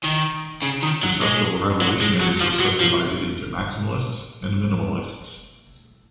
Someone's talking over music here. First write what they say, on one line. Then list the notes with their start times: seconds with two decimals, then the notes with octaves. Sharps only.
The Social Revolutionaries were subdivided into Maximalists and Minimalists.
0.04 D#3
0.63 C#3
0.83 D#3
1.03 F#3
1.23 G#3
1.82 F#3
2.01 G#3
2.21 F#3
2.41 F3
2.60 F#3
2.81 F3